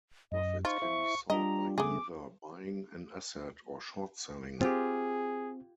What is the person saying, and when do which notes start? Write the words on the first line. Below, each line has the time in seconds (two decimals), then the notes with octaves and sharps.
Profits can be sought by either buying an asset or short selling.
0.32 F#2 D#5
0.65 D#4 F4 C5 C#6
0.82 E4 C5 E5
1.30 G3 D4 F4 G4 D#5 A#5
1.78 C#3 A3 B3 G#4 D6
4.61 C4 F4 G4 G#4